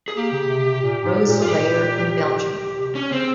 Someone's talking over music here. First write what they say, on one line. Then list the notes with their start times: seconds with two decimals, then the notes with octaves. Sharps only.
Roeselare in Belgium.
0.08 G#4
0.17 A#3 G4
0.32 C#3
0.48 C3
0.66 C3
0.82 A#2
1.04 G#2
1.25 A#2
1.42 F4
1.47 A#2 G4
2.79 C3
2.95 C#4
3.12 C#3 C4